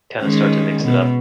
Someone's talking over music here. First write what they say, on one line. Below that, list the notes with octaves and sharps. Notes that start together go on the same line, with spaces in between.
kinda start to mix it up.
D#3 G#3 C#4
B2